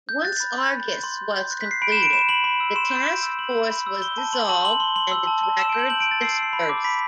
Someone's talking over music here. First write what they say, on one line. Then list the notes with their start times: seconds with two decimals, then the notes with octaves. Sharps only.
Once "Argus" was completed, the task force was dissolved, and its records dispersed.
0.09 G6
0.24 F#6 A6
0.40 B5
0.55 B5
0.71 B5
0.88 C6
1.04 C6
1.18 G6
1.35 G6
1.51 F#6
1.61 B6
1.66 F#6 C7
1.82 B5 D7
1.92 E7
1.97 B5
2.03 D7
2.13 B5 E7
2.29 B5 F#7
2.44 B5
2.60 E6
2.76 C6 E7
2.91 G6
3.07 G6
3.23 E6
3.39 B5 F#7
3.55 G6
3.71 B5
3.86 E6
4.02 G6 G7
4.18 A5
4.33 C6 F#7
4.49 A5 F#7
4.65 C6 F#7
4.80 C6 G7
4.96 C6 F#7
5.11 E6
5.27 A5
5.43 A5
5.59 E6 E7
5.69 D7
5.74 G6
5.80 F#7
5.90 G6 F#7
6.00 D7
6.06 G6
6.11 A6
6.21 E6 C7
6.32 D7
6.38 E6 C7
6.53 B5
6.69 D6
6.84 B5 B6